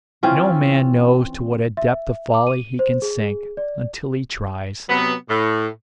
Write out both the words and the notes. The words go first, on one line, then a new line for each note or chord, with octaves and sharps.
No man knows to what a depth of folly he can sink until he tries.
E3 C4 C#4 F4
E5
D6
D#7
C5
G#4
G#4
D5
C3 F#3 B3
A2